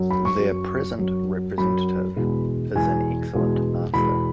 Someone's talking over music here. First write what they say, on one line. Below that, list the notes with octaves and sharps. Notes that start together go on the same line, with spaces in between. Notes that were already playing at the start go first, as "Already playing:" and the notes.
Their present representative is an excellent master.
Already playing: F#2 F#3
B5
C#6
F#2 F#3
F#2 F#3
F#2 F#3 B5
E2 B2 G#3
E2 B2 G#3 G#5
E2 B2 G#3
E2 B2 G#3 B5